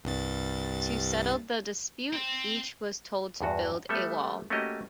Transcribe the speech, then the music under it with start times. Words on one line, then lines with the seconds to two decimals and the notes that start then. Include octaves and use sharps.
To settle the dispute, each was told to build a wall.
0.04 C2 G2 A6
2.13 C4
3.41 E2 G2 F#4
3.89 G3 A3 B3 A4 E5
4.50 A3 A#3 C#4 F#4 G4 D#5